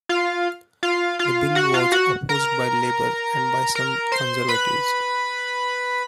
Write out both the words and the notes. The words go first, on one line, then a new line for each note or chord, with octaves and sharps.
The bill was opposed by Labour and by some Conservatives.
F4 F5
F4 F5
F4 F5
F#4 F#5
F4 F5
F#4 F#5
A#4 A#5
A#4 A#5
C5 C6
B4 B5